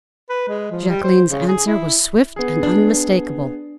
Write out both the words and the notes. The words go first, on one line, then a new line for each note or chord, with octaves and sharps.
Jacqueline's answer was swift and unmistakable.
B4
G#3
F3
G3
C5
C#3
G#4
E4
B3 G#4
D4